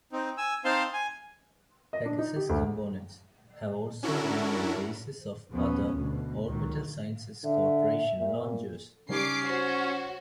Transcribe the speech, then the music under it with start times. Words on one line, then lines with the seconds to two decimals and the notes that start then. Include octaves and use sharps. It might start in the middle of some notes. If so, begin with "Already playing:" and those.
Pegasus components have also been the basis of other Orbital Sciences Corporation launchers.
0.12 C4 D#4
0.38 G#5 E6
0.65 C4 D#4 C5 F5 A5 C6
0.93 G#5
1.93 D#5
2.05 D4
2.19 D#4
2.36 G4
2.49 D2
4.03 C#4 D4 E4 F#4 A4 A#4
5.53 D#2 F3 B3 C#4
5.94 D2 B2
6.47 C#2 A#2 D#3 F#3
7.44 D3 E5
8.17 A#2
9.09 C#3 G3 C#4 D#4 D6 C7
9.46 F#4 C5 C#5